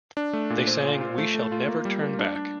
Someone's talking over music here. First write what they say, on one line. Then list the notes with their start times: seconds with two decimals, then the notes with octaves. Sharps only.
They sang, We Shall Never Turn Back.
0.17 D4
0.33 A3
0.50 A#2
0.67 C5
0.85 F4
1.01 F4
1.18 A3
1.34 A3
1.52 F4
1.68 A#3
1.85 G3
2.02 A#3
2.19 D4
2.36 D4